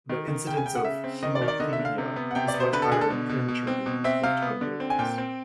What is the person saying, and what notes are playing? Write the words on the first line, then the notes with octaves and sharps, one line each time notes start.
The incidence of hemiplegia is much higher in premature babies than term babies.
D#3
D#3
C#3 G5
G#5
C#3 G5
F#5
C#3 E5
C4
D#3 D#5
D5
D#3
D5
D3 D#5
E5
D3
F5
C3
B3
F#5
C3 G5
D5
B3
C5
D3 B4
A4
D3 G#4
A4
B2
B2
B2
C4
B2
C4 E5
C3 F5
B3
D3
C4
G#5
A#2 G5
C4